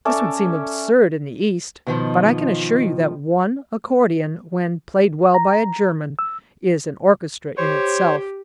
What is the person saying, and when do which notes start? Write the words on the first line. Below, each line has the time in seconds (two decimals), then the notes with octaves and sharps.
This would seem absurd in the East, but I can assure you that one accordion, when played well by a German, is an orchestra in itself.
0.05 C#4 A4 D5 E5
1.87 B2 D#3 F3
5.34 A#5
6.19 E6
7.57 G4 C5 C#5 C#6